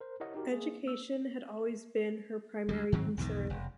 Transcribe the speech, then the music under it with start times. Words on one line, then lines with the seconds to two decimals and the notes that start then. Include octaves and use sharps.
Education had always been her primary concern.
0.01 A#4 C5
0.20 E4 G4 A#4 C#5 D#5 F#5
0.34 D#4 F#4 G4 A#4
0.51 A#3 G#4
0.86 A#3 E6
2.69 D2 F#3 G3
2.92 G#2 D#3 F#3 C4
3.18 B1 E2 G#2 D#3
3.50 F1